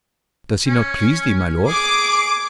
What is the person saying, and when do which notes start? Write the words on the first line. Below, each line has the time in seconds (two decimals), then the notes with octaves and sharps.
Does he not please thee, my lord?
0.68 C#4
1.68 G#4 D6